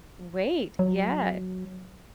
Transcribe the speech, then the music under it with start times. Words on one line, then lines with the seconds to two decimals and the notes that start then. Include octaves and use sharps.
Wait, yes.
0.79 F#3